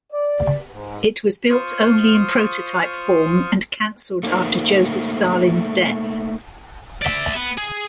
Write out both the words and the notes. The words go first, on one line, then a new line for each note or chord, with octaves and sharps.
It was built only in prototype form, and cancelled after Joseph Stalin's death.
D5
G#2
F4 C5 C#6 D#6 F6
A3 A#3 D#4 A#4 C5
D5 E5
B3
G#4